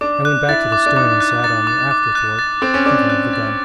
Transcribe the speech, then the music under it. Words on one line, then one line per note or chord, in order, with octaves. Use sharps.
I went back to the stern and sat on the after thwart, thinking of the gun.
D4 D6
F#6
E4 A6
D6
D4
D#4 D6
F#6
D#4 A6
D6
D6
F#6
A6
C4 D6
C#4
D4 D6
F#6
A6